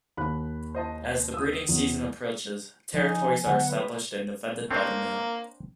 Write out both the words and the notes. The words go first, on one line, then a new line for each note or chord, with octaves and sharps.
As the breeding season approaches, territories are established and defended by the male.
D#2 B5 F#6
C5 D#5 A5
D#6 E6
E2
F3 D#4 G#5
D3 F#3 B3 F#5
B4 E5
A#3 C4 D4 C#5